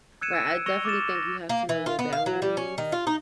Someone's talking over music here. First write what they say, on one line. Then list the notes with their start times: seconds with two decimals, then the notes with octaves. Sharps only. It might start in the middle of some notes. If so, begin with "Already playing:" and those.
Right, I definitely think you have to know your boundaries,
0.21 E6 F#6 G#6 C#7 D#7 E7
0.33 E6 D7
0.66 C#6 E6 A#6 C#7 F7 G7
0.85 D6 F6 A6 E7
1.15 A#6
1.49 A#3
1.69 E3
1.86 F4
1.99 B3
2.13 F5
2.26 F#3
2.42 G3
2.57 C#4
2.78 D#3
2.92 F4
3.07 D#4